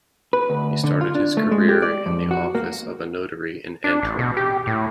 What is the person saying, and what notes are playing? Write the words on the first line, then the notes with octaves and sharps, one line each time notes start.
He started his career in the office of a notary in Antwerp.
B4
D2
D3
F4
D4
A3
G#3
G4
D5
F2
F#4
A#3
D4
A1
B2
G4
A2